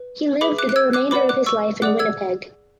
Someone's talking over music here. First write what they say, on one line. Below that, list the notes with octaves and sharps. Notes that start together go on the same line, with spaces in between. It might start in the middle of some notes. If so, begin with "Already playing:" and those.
He lived the remainder of his life in Winnipeg.
Already playing: B4
G#4 B4 E5 B5 D6
D6 F#6
F#6
E6 G#6
D6 F#6
B4 D5 F#5 B5 D6
D6 F#6
C#6 E6
G#4 D5 F#5 D6 F#6
E6 G#6